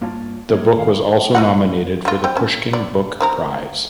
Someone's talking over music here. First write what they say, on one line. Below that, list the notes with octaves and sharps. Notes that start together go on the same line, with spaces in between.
The book was also nominated for the Pushkin Book Prize.
G2 A#3 F4 C#5 D5 A5
G#3 A#3 C#5
F#2 D#3 F5
A3 D#5 F#5
D3 F4
C4 G5
C#4
D5
D#3 C4 A#4